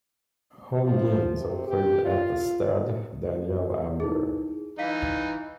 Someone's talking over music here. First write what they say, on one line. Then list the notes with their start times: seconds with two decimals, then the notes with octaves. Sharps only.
Home games are played at the Stade Daniel-Ambert.
0.84 F3
1.36 C3
1.67 G4
2.04 F4
4.00 D#4 E4 G#4
4.79 E3 D#4 F5 B6